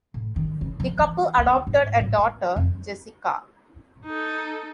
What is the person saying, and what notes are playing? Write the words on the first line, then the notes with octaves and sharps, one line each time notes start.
The couple adopted a daughter, Jessica.
A2
D#3
C#3
F3
E3
D2
G#2
A2
A#3
F2
D#4 A4